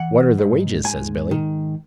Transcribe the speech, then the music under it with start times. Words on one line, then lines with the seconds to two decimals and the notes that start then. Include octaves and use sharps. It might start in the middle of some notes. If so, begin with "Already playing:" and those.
"What are the wages?" says Billy.
Already playing: E3 F#5
0.38 G#2
0.84 G#2 G#5
1.31 D#3